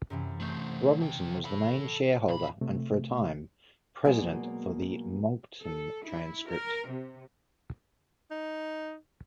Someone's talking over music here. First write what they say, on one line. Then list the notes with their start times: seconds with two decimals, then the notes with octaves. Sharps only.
Robinson was the main shareholder and, for a time, president for the "Moncton Transcript".
0.10 F#2 C3 E3
0.40 A3 C4 C6 G6
1.00 C#3 G5
1.45 A4 B5
2.28 B1 A#2 B5
2.61 C3 A3
4.04 B2 F#3 G#3 A#3 D5 G#5
5.59 A4
6.04 E4
6.47 A#4
6.88 C3
8.31 D#4